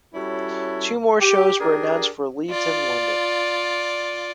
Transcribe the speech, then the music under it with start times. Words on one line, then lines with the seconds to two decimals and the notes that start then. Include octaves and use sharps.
Two more shows were announced for Leeds and London.
0.14 G3 C#4 E4 F#4 A4 C#5
1.20 G4
1.59 D4 G4 G#4 A#4
2.50 F4 D5